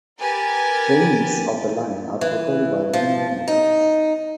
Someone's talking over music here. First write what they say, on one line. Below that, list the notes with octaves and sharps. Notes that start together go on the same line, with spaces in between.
Trains of the line are propelled by linear motors.
G4 A#4 B4 G#5 A6
E3
F3
D#4